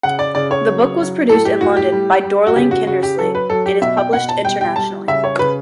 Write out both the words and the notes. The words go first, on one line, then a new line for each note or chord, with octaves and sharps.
The book was produced in London by Dorling Kindersley and is published internationally.
C#3 F#5
D5
C#3 D5
C#5
F#3
F#3
A2 A4
G4
A2 F#4
G4
G3
G3
F#4
C#3 G4
F#4
C#3 F#4
G4
F#3 A4
B4
F#3 A4
G4
B2 E5
G5
B2 F#5
A5
G3 G5
G5
G3 A5
C#3 E5
C#5
C#3 B4